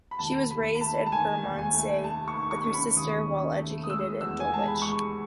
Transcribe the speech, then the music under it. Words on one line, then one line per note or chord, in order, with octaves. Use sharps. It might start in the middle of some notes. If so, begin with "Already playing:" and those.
She was raised in Bermondsey with her sister while educated in Dulwich.
B5
D#2 A5
D#2 B5
B5
A3 A5
A5
D#3 G#5
D#2
G#5
A3
A3 A5
C#6
D#3
C#6
C#4
B5
D#2 D#6
C#4
A3
D#6
G#3 E6
E2 E6
G#5
G#3 A5
B5
G#3 C#6